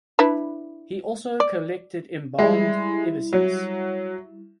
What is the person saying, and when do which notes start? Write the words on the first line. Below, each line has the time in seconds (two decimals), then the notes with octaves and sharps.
He also collected embalmed ibises.
0.19 D4 E4 B4
1.40 D5
2.39 G3 G#3 E4
3.33 F#3